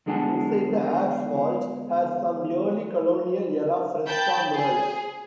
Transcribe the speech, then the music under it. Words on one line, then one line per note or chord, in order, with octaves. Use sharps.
Inside, the apse vault has some early colonial era fresco murals.
E2 D3 G#3 D4 F#5 A5
G5 A5 B5 G6
G#4